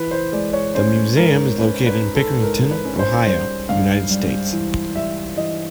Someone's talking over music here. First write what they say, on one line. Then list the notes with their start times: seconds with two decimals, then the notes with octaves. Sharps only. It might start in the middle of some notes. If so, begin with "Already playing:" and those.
The museum is located in Pickerington, Ohio, United States.
Already playing: E3 B4
0.11 C5
0.32 G#3 D5
0.53 C#5
0.75 C#4 C5
1.17 G#2 A#4
1.58 C#4 B4
1.86 B4
2.01 G#2
2.15 A4
2.43 G#2 A#4
2.71 B4
2.85 C#4
2.99 C5
3.27 G3 C5
3.69 G2 F5
4.11 G3
4.53 E3
4.95 G3 E5
5.37 E3 D#5